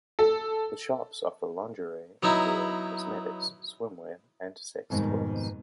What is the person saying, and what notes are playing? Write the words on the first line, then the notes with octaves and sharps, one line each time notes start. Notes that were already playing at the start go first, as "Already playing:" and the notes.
The shops offer lingerie, underwear, cosmetics, swimwear and sex toys.
A4
F#3 B3 D#4 E4
F2 G#2 B2 D#3 G3